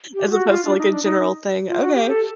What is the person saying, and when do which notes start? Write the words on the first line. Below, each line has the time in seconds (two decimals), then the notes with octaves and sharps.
as opposed to, like, a general thing. Okay,
0.14 G4
0.27 F4
0.31 F#4
0.48 F4
0.65 D4
0.78 D#4
0.91 D4
1.04 D#4
1.69 F4
1.81 F#4
1.94 G4
2.08 A4